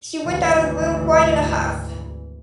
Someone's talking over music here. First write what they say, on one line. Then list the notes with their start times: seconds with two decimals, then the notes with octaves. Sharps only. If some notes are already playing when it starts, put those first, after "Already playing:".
She went out of the room quite in a huff.
0.24 G#1 D2 E3